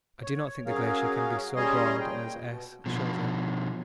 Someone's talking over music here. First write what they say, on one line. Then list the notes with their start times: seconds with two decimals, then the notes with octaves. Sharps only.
I do not think the glacier can be so broad as S. shows it.
0.22 C#5
0.66 F#3 C#4 G#4 A#4 F5
1.56 G3 C#4 G#4 D#5 A#5 C6
2.00 A#2 G5
2.48 B2
2.86 B2 F3